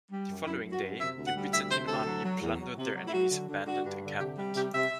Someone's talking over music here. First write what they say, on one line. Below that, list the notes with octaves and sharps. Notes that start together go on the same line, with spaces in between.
The following day the Byzantine army plundered their enemy's abandoned encampment.
G3
F#2
F#2 E4
F#2
F#4
F#2
C3 E5
D2
F#5
G3
D2 E5
C3 C5
D2 A4
F#3
F#3
E2
F#3
C3
F#3
E4
F#3 F#4
D3
D3
D3 F#4
G2
D3
C3 G4
G3
C3 G4
C3 E5